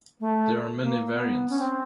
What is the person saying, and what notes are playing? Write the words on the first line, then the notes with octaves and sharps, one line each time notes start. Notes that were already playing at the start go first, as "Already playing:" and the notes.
There are many variants.
A3
A#3
B3
C#4
C4